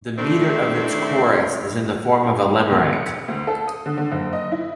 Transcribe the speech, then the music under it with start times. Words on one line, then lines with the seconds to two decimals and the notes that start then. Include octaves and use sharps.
The meter of its chorus is in the form of a Limerick.
0.18 F2 D#3 A3 C4 D4 E4
2.71 B2
2.93 C#7
3.28 D2
3.47 A4
3.67 D#6
3.86 D3
3.97 D3
4.12 F#1
4.33 D#5
4.52 E4